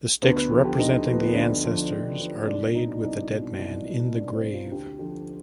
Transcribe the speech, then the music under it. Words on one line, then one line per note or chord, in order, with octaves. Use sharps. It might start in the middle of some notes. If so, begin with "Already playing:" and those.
The sticks representing the ancestors are laid with the dead man in the grave.
D2 B3 B4
B3 B4
D3 F3
G4
D2 D#4 D#5
D3 F3 B3 B4
B3 B4
D2 D4 D5
D3 F3
D2
D3 F3
C2 D4 D5
B2 D#4 D#5
C2 D#4 D#5
B2
C2
B2
C2 D4 D5
C4 C5
B2
F4
D2 G4
D3 F3 G4